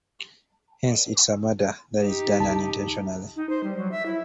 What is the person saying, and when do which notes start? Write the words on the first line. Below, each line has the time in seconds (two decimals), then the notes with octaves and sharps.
Hence it is a murder that is done unintentionally.
2.00 D#4 G4
2.40 C#2 A5
3.36 D#4
3.49 C5
3.63 G3
3.77 F#3
3.92 E5
4.06 E4